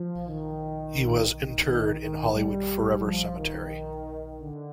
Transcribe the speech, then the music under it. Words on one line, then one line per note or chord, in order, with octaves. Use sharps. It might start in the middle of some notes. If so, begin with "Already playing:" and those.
He was interred in Hollywood Forever Cemetery.
Already playing: F3
D#3
D#3
D#3
D#3
G3
F3
D#3
D3